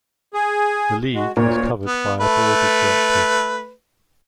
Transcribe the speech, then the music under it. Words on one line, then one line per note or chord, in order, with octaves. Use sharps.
The League is governed by a Board of Directors.
G#4
G#3 F#4
D2 A#2 A#3 C#5
B3
A3 B4